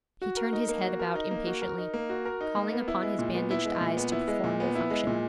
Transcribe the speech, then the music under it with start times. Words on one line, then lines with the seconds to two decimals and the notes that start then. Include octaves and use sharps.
He turned his head about impatiently, calling upon his bandaged eyes to perform their function.
0.22 F#4
0.37 A#4
0.53 D#4
0.69 A#3
0.84 F#4
0.99 A#4
1.15 D#4
1.31 A#3
1.46 F#4
1.62 A#4
1.78 D#4
1.94 A#3
2.09 F#4
2.25 A#4
2.41 D#4
2.56 A#3
2.72 B3
2.88 E4
3.03 G#3
3.19 A#2
3.34 B3
3.51 E4
3.65 G#3
3.81 A#2
3.97 B3
4.12 E4
4.28 G#3
4.44 A#2
4.60 B3
4.75 E4
4.90 G#3
5.07 A#2